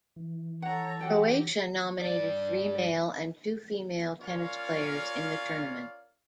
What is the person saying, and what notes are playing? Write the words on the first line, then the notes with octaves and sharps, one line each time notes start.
Croatia nominated three male and two female tennis players in the tournament.
E3
A4 C#5 F#5 A#5
F#3 G4 F#5 G5
G2 D5
C#4 F4 A#4 C#5 D5 F5